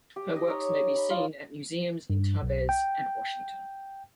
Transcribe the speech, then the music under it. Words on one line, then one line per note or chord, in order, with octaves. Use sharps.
Her works may be seen at museums in Tarbes and Washington.
G4
D#5
D#4 C#5
B5
F4
G2
B1
G5